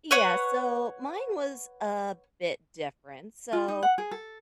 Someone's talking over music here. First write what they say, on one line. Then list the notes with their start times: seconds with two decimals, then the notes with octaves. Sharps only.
Yeah, so mine was a bit different. So,
0.11 B4 C#5 F#5
3.53 F4
3.68 D#4
3.83 F#5
3.98 G#4
4.11 A4